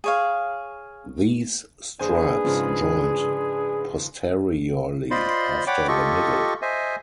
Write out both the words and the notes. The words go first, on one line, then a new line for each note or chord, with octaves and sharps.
These stripes joined posteriorly after the middle.
G#4 C#5 F5
F#1 D4 G#4 B4 C5 G#5
G#2 C#3 F3
F4 C5 D5 D#5 B5 C6
C#5 D5 F#5 G5 B5 D6
F4 G4 A4 D#5 C#6
C5 D#5 E5 G#5